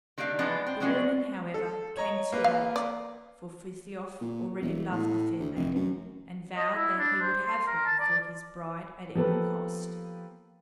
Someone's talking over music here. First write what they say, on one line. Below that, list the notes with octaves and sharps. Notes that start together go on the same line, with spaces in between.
The warning, however, came too late, for Frithiof already loved the fair maiden, and vowed that he would have her for his bride at any cost.
D#3 G3 A#3 D4 F5
E3 F3 G#3 B3 D4
C4
F3 F#3 G#3 C#4 D4
A4
C#5 D#5 A#5
A#3 B4
F5
D5
A#2
E1
A2
D2
F1
F#2
D#5
E4
D4
C5
C6
A#4
A5
D5
F3 A#3 B3 G4 A4 B4